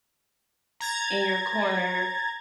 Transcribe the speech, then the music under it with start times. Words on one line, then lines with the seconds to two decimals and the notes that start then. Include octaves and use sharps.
in your corner,
0.80 A#5 G#6 A6